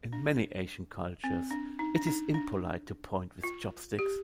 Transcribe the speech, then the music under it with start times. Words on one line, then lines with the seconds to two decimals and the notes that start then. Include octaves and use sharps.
In many Asian cultures, it is impolite to point with chopsticks.
0.13 D4
1.24 C4
1.51 D4
1.79 D#4
1.96 D4
2.07 D#4
2.34 D4
3.44 F4
3.99 G4